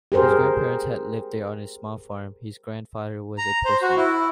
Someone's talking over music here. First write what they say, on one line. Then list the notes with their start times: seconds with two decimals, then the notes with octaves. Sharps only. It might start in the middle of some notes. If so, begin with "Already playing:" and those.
His grandparents had lived there on a small farm; his grandfather was a postman.
0.12 G4 G#4 A#4 C5
3.38 A#5
3.65 C5
3.82 F#4
3.96 E4